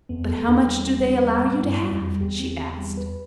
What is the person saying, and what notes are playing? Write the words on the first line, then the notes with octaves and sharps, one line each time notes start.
"But how much do they allow you to have?" she asked.
F2 B3
E2 A4
E2 D4
G3
G3
D4
G3
A2
G2 E4
G3
F2
G3
E2 G4
C4
G4
G3
B4